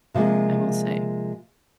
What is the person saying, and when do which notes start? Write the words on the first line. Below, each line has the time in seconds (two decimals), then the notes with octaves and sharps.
I will say.
0.14 C3 F3 G3 G#3 A#3